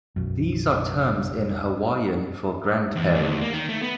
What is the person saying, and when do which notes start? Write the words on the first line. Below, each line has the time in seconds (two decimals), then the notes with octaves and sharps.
These are terms in Hawaiian for grandparent.
0.16 B1 F#2
2.96 E2
3.15 D2
3.41 A#3
3.53 D#3
3.69 A3
3.82 B3